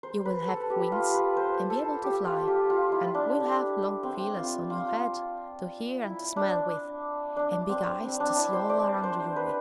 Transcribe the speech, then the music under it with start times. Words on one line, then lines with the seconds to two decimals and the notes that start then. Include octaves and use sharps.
You will have wings, and be able to fly; and will have long feelers on your head to hear and to smell with, and big eyes to see all around you with.
0.03 C5
0.25 B4
0.48 A4
0.70 G4
0.92 F4
1.14 B4
1.37 C5
1.70 A4
2.04 G4
2.25 F4
2.48 G4
2.70 F4
2.92 E4
3.14 D4
4.03 C4
4.36 F4
4.70 F4
6.03 E4
6.36 D4
7.36 D4
7.69 C4
8.03 C4
8.20 D4
8.37 E4
8.53 C5
8.69 D5
9.03 C5
9.36 B4